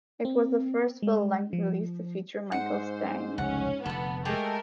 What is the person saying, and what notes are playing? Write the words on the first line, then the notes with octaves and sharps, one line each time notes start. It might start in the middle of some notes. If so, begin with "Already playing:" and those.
It was the first full-length release to feature Mikael Stanne.
C4
G#3
F3
G#2 C5 F#5
F1 C#2 C#4 F#5
F1 D3 B3 A4 A5
G#3 A3 G4 G#4 A#4 A5